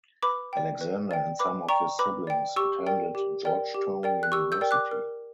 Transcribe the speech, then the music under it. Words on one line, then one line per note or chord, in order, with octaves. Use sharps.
Alexander and some of his siblings attended Georgetown University.
B4 B5 D6
D5 G5
B4
D5 G5
B4 B5 D6
D5 G5 A#5 C#6
B4 B5 D6
D5 G5
G4 C#6 E6
A#4 D5 G5
G4
A#4 D5 G5
G4
A#4 D5 G5
F#6
G4 C#6 E6
E6 G6
A#4 D5 G5
D6 F#6
A#4